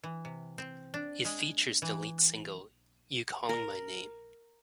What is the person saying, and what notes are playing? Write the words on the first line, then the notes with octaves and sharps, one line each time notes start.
It features the lead single "You Calling My Name".
E3
C3
C4
D4
G#3
E3
A#4